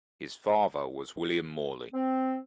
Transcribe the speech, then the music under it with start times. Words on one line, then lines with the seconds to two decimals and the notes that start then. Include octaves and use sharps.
His father was William Morley.
1.94 C4